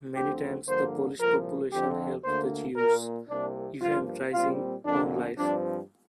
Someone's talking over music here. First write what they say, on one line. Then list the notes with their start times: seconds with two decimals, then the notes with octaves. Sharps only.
Many times, the Polish population helped the Jews, even rising own life.
0.15 D2 D3 F3 C4 G4
0.67 G2 D3 F3 A#3 C5
1.19 C2 A#2 F3 A#4
1.72 F2 D3 F3 C4 G4
2.24 D2 D3 A#3 C5
2.76 A#2 A#3 A#4
3.28 C2 C3 A#3 D4
3.80 G2 F3 A#3 F4
4.33 A#2 G3 C4 F4
4.85 F2 D3 A#3 D4
5.37 G2 F3 C4 D4